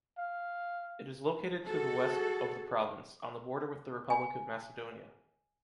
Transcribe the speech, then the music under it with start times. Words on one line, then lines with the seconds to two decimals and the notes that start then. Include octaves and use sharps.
It is located to the west of the province, on the border with the Republic of Macedonia.
0.18 F5
1.67 F#4 G#4 A4
4.10 G#5